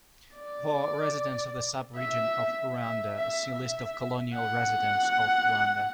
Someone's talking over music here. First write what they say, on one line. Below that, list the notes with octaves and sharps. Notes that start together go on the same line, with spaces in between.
For residents of the subregion of Ruanda, see List of colonial residents of Rwanda.
D5
E5
E5
E5
E5
F#5